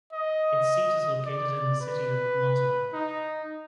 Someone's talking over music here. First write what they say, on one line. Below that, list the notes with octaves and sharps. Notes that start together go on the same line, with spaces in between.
Its seat is located in the city of Motala.
D#5
D5
B4
D#4